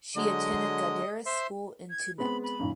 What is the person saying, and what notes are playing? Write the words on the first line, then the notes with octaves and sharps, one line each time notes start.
She attended Gadara School in Tumut.
D3 F#3 G#3 D#5
C5 E5 C6
G#6
G#3 B3 C4 B5
B5
F#2 A#2 D#3